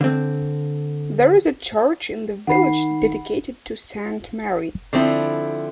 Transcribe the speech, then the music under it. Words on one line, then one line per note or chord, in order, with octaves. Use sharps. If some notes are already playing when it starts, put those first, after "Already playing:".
There is a church in the village dedicated to Saint Mary.
D3 C4
D#3 F#5 B5 C7
D3 F3 C4 E4